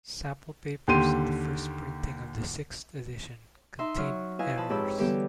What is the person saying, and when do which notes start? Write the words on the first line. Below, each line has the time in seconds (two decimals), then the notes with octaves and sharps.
Sample papers in the first printing of the sixth edition contained errors.
0.88 D#2 D3 G4 C6 D#7
3.79 D#4 E5 C6
3.98 F#3 C#6 F6
4.39 E4 F4 B4 D#5 F5 G#5
4.57 F3 A5 B5
4.69 F2 G#2 G4 C#5 B5 E6
4.98 D3 E3 G3 B3 G4 A4